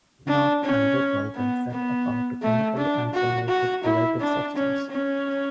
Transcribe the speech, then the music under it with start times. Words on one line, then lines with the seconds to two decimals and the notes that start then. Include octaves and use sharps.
Minot and Whipple then set about to chemically isolate the curative substance.
0.28 D4
0.64 C#4
1.35 B3
1.71 B3
2.43 A3
2.78 D4
3.14 F#4
3.49 F#4
3.84 E4
4.20 D4
4.56 C#4
4.91 C#4